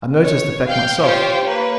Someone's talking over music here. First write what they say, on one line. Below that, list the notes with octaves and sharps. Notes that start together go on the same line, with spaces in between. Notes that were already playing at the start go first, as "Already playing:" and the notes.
'I noticed the fact myself.'
C#5
F5 G5 G6
F4 G4 C5 C#5 G5
A#3 B4 C#5